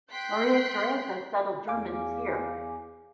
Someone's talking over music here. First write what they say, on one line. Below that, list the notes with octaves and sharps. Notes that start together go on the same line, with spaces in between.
Maria Theresa settled Germans here.
G5 C6 F#6 G6 B6
E2 F5 G#5 D6